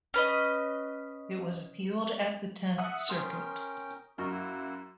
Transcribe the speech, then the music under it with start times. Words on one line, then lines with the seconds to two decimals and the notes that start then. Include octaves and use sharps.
It was appealed at the Tenth Circuit.
0.14 C#4 B4 D#5
2.78 E5 F#5 D#6
3.09 C#4 A#4 G5 C6
4.18 F#2 F#4 A#4 D#5
4.30 A#3 E4 F#5